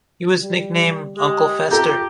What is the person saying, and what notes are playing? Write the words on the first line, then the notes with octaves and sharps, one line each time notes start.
He was nickname Uncle Fester.
G3
G3
G#3 G4
F4 G4 A4 A#5 G6